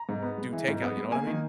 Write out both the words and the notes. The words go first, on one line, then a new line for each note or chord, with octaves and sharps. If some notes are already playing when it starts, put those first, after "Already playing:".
do takeout, you know what I mean.
Already playing: A#5
G#2
B3
G#3
E3
G#2
B3
G#3
A#3 G#5
D#3